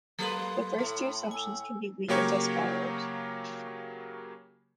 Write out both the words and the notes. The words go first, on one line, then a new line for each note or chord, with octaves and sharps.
The first two assumptions can be weakened as follows.
F#3 A#3 A4 B4 C6
A2 A3
G#5 E6
C#3 F#3 A#3 G4 C#5 C#6